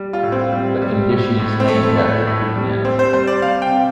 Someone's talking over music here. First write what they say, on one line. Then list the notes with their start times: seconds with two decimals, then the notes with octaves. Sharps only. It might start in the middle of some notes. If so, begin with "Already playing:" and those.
The condition is named after two men.
Already playing: G3
0.13 F4
0.23 A2
0.32 C4
0.52 G3
0.82 G3
1.10 A2
1.39 A2
1.60 C4
1.68 A2 A3
1.98 A2
2.27 A2
2.55 G3
2.85 G3 C4
2.99 C5
3.13 G3 C5
3.27 D5
3.42 C3 F5
3.62 G5
3.72 C3